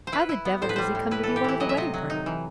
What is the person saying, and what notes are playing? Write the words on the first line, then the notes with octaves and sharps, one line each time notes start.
"How the devil does he come to be one of the wedding party?"
C5
E4 B4
E4
B3
A2 C5
B4
G3 C5
A2
E4 B4
E3 A4
G4
E3 E4
F#3 D#5
E5
C3 D#5
F#3
D#4
E3